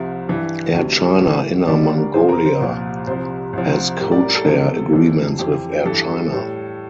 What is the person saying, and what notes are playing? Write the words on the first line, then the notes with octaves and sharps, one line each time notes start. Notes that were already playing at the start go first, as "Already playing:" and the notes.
Air China Inner Mongolia has codeshare agreements with Air China.
Already playing: C2 C3 F3 E5
G2 E3 G3
D2 C3 G3
A2 E3 G3
D2 D3 G3 D5
D5
A#4
E2 C3 F3 C5
A#4
C5
C2 A#2 F3
C2 C3 F3 C5
C2 C3 F3
A2 G3 A#4
D5
A#4
A4
E2 C3 F3 A4
F2 E3 G3
F2 E3 G3 G4
G2 E3 G3 A4
A2 G3